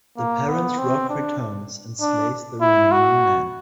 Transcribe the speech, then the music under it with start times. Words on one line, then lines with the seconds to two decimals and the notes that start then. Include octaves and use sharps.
The parent Roc returns and slays the remaining men.
0.18 A#3
0.48 B3
0.78 C4
1.10 D4
2.01 D4
2.61 E4
2.92 F#4